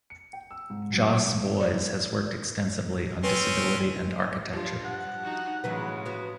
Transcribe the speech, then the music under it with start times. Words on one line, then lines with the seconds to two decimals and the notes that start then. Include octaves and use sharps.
Jos Boys has worked extensively on disability and architecture.
0.10 C#7
0.33 G5
0.51 E6
0.70 G#2
0.93 F#2
1.23 G#2
1.61 D5
3.24 C4 C#4 B4
4.53 G2 F3 F4
4.85 F#5
5.23 D#4 F#4
5.64 A2 C#3 E3 F#3 G#3 B4
6.05 B3 F#4